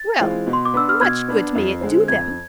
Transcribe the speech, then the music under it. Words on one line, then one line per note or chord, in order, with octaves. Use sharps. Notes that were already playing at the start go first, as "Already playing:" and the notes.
Well, much good may it do them!
Already playing: A6
E3 G#3 C4 F4
B2
C6
D6
B3 D4 E6
F6
B2 G#6
B3 D4
F2
D3 G#3 C4
F2 G#6